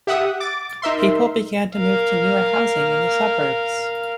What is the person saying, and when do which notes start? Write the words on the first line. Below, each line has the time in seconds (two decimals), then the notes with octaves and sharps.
People began to move to newer housing in the suburbs.
0.07 G4 E5 F#5 D#6
0.40 D6 A6
0.82 D#4 A#4 E5 C6
1.75 A#4 F5